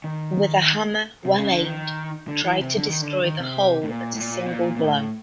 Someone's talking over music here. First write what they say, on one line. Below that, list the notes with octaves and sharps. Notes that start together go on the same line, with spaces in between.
With a hammer well-aimed, try to destroy the whole at a single blow.
D#3
C3
C#3
D3
D#3
D3
E3
C3
D3
D#3
D3
D#3
C3
A2
A#2
A2
A#2
B2
A#2
A#2
A2